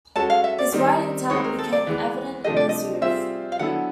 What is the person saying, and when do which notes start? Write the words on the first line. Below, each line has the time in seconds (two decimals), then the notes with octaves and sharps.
His writing talent became evident in his youth.
0.16 G#3 C#4 F#4 A4 C#5 A5
0.30 F5
0.44 E5
0.58 D5
0.72 D#3 G3 C4 D#4
1.30 G#3 C4 D#4 C#5
1.44 A#4
1.59 A4
1.72 D5
1.87 E3 G#3 B3
2.44 C3 F3 A3 D4 G4 D#5
2.56 D5
2.69 D#5
3.02 G3 C4 F4 G#4 C5 E5
3.52 F5
3.59 D3 F#3 B3 E4 A4 F#5